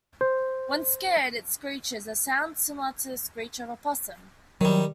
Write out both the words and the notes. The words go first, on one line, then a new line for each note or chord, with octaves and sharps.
When scared, it screeches - a sound similar to the screech of a possum.
C5
D#3 F#3 G3